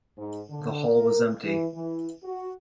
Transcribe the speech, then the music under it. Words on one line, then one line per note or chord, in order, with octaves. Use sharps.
The hall was empty.
G#2
D3
A#4
E3
E3
F#4